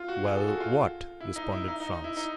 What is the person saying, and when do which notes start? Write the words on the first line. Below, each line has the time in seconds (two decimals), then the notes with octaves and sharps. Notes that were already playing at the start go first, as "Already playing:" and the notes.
"Well--what?" responded Franz.
Already playing: F4
0.08 F#4
0.24 G#4
0.36 A4
0.48 F#4
0.60 F4
1.20 E4
1.36 D#4
1.52 E4
1.68 D#4
1.80 D#4
1.93 D#4
2.04 E4
2.17 D#4